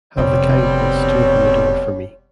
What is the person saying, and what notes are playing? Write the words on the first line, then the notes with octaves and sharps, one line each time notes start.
Have the kindness to open the door for me.
F1 B2 D3 G3 C4 C#5